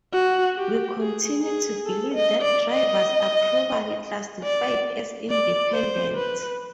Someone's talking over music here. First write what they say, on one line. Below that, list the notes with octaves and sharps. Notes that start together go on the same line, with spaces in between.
We continue to believe that drivers are properly classified as independent.
F#4
G4
G#4
G#4
A4
D#5
D5
D#5
D5
D5
C5
B4